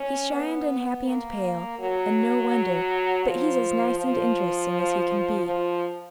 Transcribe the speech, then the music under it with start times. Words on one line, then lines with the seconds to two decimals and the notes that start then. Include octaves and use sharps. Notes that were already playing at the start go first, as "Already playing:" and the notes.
"He's shy and unhappy and pale, and no wonder; but he's as nice and interesting as he can be."
Already playing: C#4
0.32 B3
1.06 A#3
1.78 F#3
3.25 F3
3.98 F3
5.46 F3